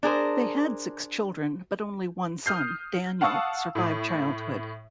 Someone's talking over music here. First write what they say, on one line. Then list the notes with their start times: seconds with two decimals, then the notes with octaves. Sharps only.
They had six children, but only one son, Daniel, survived childhood.
0.03 D4 G#4 A#4 C5
2.46 D#6 F6 G6 C7
3.21 F5 F#5 A5 C#6 D#6 E6
3.75 A2